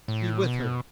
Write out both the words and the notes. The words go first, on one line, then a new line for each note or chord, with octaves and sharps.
Be with her!
A2
B2